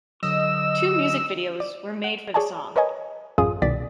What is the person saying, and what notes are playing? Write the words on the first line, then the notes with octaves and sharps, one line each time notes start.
Two music videos were made for the song.
D3 F#3 D#5 E6
D5
F#5
G#4 C#5 D5 G#5 A5
A#4 B4 C#5 D#5 G#5
A1 F#2 C#4 F4 G#4 D#6
C2 B2 D#3 D5 A6 B6